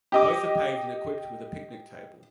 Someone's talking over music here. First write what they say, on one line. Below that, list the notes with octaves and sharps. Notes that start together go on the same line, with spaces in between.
Both are paved and equipped with a picnic table.
G4 D#5 D6